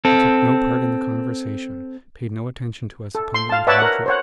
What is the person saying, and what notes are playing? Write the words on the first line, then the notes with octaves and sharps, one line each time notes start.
He took no part in the conversation; paid no attention to us upon the entire trip.
C4 A4
A4
C6
F5 A5
B4 C#5 D5 E5 F#5 A5
A#4 F#5
C5 C#5 F#5